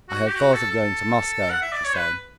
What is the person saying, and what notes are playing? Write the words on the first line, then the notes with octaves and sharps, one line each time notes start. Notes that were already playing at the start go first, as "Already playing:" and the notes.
"I had thought of going to Moscow," she said.
F#4
G4
F#4
A4
A4
F#5
E5
D5
C#5
B4